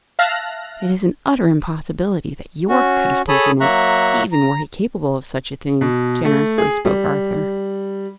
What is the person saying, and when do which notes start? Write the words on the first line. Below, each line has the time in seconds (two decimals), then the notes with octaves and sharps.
"It is an utter impossibility that Yorke could have taken it, even were he capable of such a thing," generously spoke Arthur.
0.19 E5 F5 A5 F6 F#6 A#6
2.69 C#4 F#4
3.29 G#4 A4 C#5 A5 B5 D#6
3.61 F#3 A#3 E5 A#5 C#6 F#6
4.32 A#5
5.81 B2
6.25 A3
6.58 G#4
6.85 G3